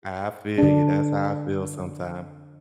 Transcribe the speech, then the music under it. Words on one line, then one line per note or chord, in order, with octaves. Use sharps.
I feel you, that's how I feel sometimes.
D3 D4